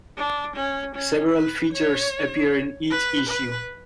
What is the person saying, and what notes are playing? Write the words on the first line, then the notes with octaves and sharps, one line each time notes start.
Several features appear in each issue.
D4
C#4
C#4
B4
C#5
B4
B4